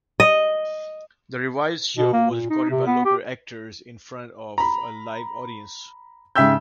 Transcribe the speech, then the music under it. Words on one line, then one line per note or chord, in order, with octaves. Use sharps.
The revised show was recorded by local actors in front of a live audience.
D#5
B2
A#3
A#2
D#4
C3
B3
G4
A#5 B5
G#2 C#3 E5 G5 E6 G6